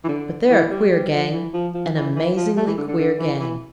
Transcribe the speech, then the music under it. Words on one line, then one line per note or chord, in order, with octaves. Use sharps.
But they're a queer gang,--an amazingly queer gang!'
E3
D3
E3
G3
G3
F3
E3
F3
F3
E3
E3
F3
A3
E3
D3
D3
D3
E3
E3